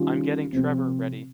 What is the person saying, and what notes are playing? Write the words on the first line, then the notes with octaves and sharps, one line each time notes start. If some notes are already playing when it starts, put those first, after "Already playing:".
I’m getting Trevor ready!
Already playing: D#3 G3 C#4 F4
C3 F3 C4